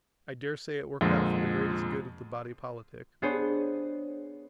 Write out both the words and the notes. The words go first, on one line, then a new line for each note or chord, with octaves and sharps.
I daresay it worked out for the greatest good of the body politic.
F2 A#2 D3 G#3
B3 D4 G#4 C5 C#5